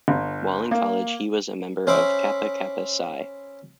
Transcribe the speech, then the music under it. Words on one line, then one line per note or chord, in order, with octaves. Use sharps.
While in college, he was a member of Kappa Kappa Psi.
G1
A#3
C#4 C5 E5 B5 D6